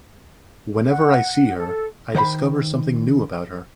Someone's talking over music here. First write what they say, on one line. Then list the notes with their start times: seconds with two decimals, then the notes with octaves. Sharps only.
Whenever I see her, I discover something new about her.
0.90 F#5
1.57 A4
2.15 D#3 C5 F#5 B5